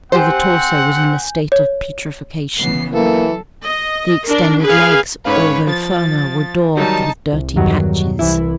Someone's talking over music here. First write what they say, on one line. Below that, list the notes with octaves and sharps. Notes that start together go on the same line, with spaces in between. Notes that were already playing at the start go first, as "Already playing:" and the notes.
All the torso was in a state of putrefaction. The extended legs, although firmer, were daubed with dirty patches.
C4 G4 C5 F#5 G#5 G6
C#5
C#3 E3 B3 C7
E3 F#3 A#3 A4
D#5
D4 A#4
G#4 B4 F5
G#2 C#4 B4 C#5 F5
F3 A6
D#3 F#3 G3 D#4 A5
C2
E2 G2 D#3 F#3
C2 E3 E4